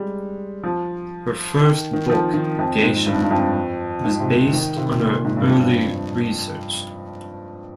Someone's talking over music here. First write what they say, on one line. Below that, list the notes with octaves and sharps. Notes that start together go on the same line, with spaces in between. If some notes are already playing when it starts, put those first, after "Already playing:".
Her first book, "Geisha", was based on her early research.
Already playing: G3 G#3
F3
D#3
D#3
F3
D#3
F2
G#2
G2
G#2
G2
F2
G#2
C3
D#3
C3
A#2
G#2
G2
F2
G2